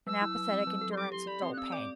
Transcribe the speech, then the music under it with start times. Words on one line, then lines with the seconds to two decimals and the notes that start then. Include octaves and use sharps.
An apathetic endurance of dull pain.
0.07 F#3 E6
0.22 E4
0.36 F#3
0.52 C4
0.67 F#3
0.81 A4
0.92 C6
0.97 G4 D6
1.12 G4 C6
1.27 D5 B5
1.42 C4 C6
1.53 F#6
1.57 C4 E6
1.72 D5 D6